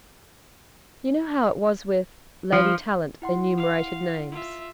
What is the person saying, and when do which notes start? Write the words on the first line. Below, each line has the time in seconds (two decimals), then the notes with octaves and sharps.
You know how it was with....' Lady Tallant enumerted names.
2.52 F3
3.22 E4 F#5 C6
3.58 F5
4.31 F4 E5